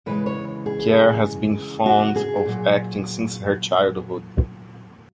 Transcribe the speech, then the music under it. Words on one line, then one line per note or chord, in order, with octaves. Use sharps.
Khare has been fond of acting since her childhood.
C#3 E3 G#3 B4
C#5
G#4
F#4
G#4
A#2 F#3